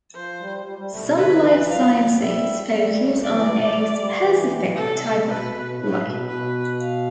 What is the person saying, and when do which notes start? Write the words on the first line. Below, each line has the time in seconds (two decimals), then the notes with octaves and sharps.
Some life sciences focus on a specific type of life.
0.14 F3 C5
0.40 G3
0.65 G3
0.78 G3
0.91 A3
1.04 B2
1.17 D3 B4
1.43 E3
1.68 F3 F5
1.75 G3
1.82 F3
2.19 G3 E5
2.70 G3
3.22 G3 D5
3.34 E3
3.47 G3
3.60 F3
3.73 A3
3.98 G3
4.24 E3
4.75 C3 A4
5.26 B2 B4
5.52 B2
5.77 A2 B4
6.03 B2
6.23 A2
6.28 B2 B4
6.80 F5